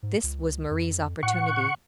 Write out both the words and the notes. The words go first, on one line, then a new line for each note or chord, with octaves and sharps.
This was Marie's opportunity.
G#2
C#2
F2
A2 F#5 C#6